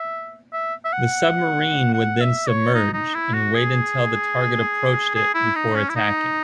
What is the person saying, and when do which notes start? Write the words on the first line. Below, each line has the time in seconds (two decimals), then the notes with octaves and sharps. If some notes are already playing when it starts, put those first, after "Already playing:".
The submarine would then submerge and wait until the target approached it before attacking.
Already playing: E5
0.53 E5
0.85 E5
0.93 F#5
1.94 F#5
2.21 E5
2.47 C#5
2.74 D#4
2.93 D#4
3.15 E4
3.34 F#4
3.54 G#4
5.15 G#4
5.34 E4
5.56 D#4
5.75 C#4
5.89 E4
5.96 D#4